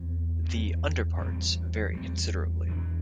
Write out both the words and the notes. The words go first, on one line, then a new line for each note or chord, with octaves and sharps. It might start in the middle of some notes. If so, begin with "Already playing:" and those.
The underparts vary considerably.
Already playing: E2 E3 C4
E2 E3 G3 C4
E2 E3 G3 C4
E2 E3 G3 C4
E2 E3 G3 D4